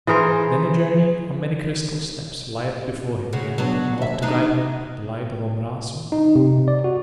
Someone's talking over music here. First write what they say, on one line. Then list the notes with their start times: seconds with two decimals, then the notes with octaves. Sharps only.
Then a journey of many crystal steps lieth before him again with nought to guide him but the light of Omrazu.
0.07 E3 G#4 A#4 C5
3.33 C#3 F#4
3.58 F#3 B3 D4
3.98 D#2 E5
4.22 D4 D#4
6.12 D#4
6.35 C3
6.68 D5
6.84 F#4